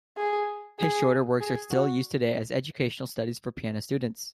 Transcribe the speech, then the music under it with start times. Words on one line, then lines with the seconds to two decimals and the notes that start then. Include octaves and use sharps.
His shorter works are still used today as educational studies for piano students.
0.17 G#4
0.79 G#4
1.40 G#4
1.71 F#4